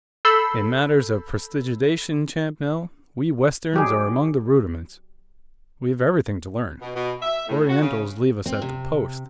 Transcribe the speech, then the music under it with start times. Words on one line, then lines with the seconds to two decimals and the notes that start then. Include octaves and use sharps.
In matters of prestidigitation, Champnell, we Westerns are among the rudiments,--we've everything to learn,--Orientals leave us at the post.
0.25 A4 B5 E6 G6 C7
3.73 F#3 G4 G#4
6.82 B2
6.95 B2
7.22 E5
7.49 A2
7.69 F#4
7.81 C#3
8.46 C4
8.62 C3